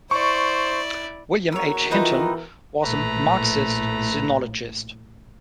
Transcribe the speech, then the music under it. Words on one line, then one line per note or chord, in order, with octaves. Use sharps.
William H. Hinton was a Marxist sinologist.
E4 C5 D5 C#6
E2 F#4 A#4 C#5 A#5 E6
E3 C4 D#4 F4 B4
A#1 A2 A3 B4 A#5